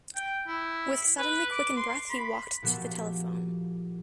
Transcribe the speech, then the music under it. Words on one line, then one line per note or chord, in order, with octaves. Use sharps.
With suddenly quickened breath he walked to the telephone.
G5
E4
B4
D6
C6
B5
A#2 F3 B3 F#4 G4 A4